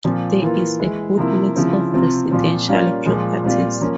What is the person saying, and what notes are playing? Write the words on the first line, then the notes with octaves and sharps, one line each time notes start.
There is a good mix of residential properties.
A#2 F3 C4
E3 A#3 F4
E3 G#3 E4
C3 F3 A#3 E4
C#3 F3 C4 E4
C3 F3 C4 F4
A#2 F3 C4
G3 A#3 C#4 F4
A#2 F3 G#3
A#2 G3 C4 F4
F3 A#3 C#4